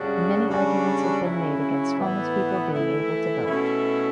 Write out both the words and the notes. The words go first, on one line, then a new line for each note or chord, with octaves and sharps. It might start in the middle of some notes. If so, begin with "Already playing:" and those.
Many arguments have been made against homeless people being able to vote.
Already playing: F#2 C#3 G3 D4 F#4
C#3 G3 D4 F#4
C#3 F#3 C#4 E4
A2 E3 B3 E4
E3 A3 E4
B2 A3 C#4 E4